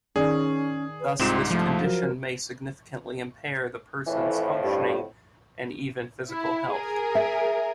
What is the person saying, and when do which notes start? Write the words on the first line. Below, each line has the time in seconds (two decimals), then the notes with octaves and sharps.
Thus, this condition may significantly impair the person's functioning and even physical health.
0.16 D#3 C#4 G#4 D5
1.00 B4
1.19 C2 G#2 C4 F4 E7
1.51 F3 A3
1.82 F#3 A#4
4.06 F2 A2 E3
4.63 G2
6.32 E4
6.73 G#4 A#4
7.15 E5